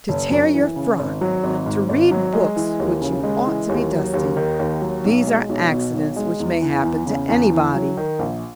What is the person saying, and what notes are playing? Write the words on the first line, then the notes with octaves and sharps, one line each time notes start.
To tear your frock, to read books which you ought to be dusting, these are accidents which may happen to anybody.
F#1
F#2
E3
C#3
G#1
F#3
G#1
G#2
G#1
F#3
G#3
E3
D#2
C#3
G#3
E3
D#2
F#3
D#2
D#3
D#2
F#3
B1
G#3
B1
B2
B1
G#3
E2
E3
E2
C#3
E2
E3
F#3
D#3
A#1